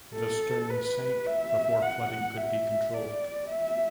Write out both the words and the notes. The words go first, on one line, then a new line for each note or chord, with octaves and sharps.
The stern sank before flooding could be controlled.
A4
B4
E5
F#5
E5
D5
E5